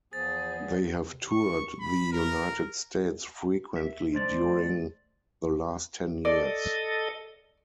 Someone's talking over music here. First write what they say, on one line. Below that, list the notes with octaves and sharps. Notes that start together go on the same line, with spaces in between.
They have toured the United States frequently during the last ten years.
E2 F3 B3 G#4 C5 A6
C#6
B5
A#4
E5
D#3 A3 C5 D5
A4 D5 D#5